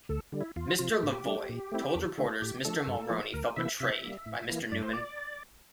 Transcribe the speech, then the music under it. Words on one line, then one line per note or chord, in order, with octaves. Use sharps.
Mr. Lavoie told reporters Mr. Mulroney felt betrayed by Mr. Newman.
D2 A4
D3 G3
E4
E2 F4
C3 F3 F4
A2 G4
G3 D4
A#2
A3 C4 E4
E2
D3 A3 C4
A2 G4
F3 A3 D4 A4
G2
F3 A#3 E4
D2 A#4
C3 E3 A#3 E4 E5
C3 E5
G3 A#3
A2
E3 A#3 E4
G2 D5
C5
D5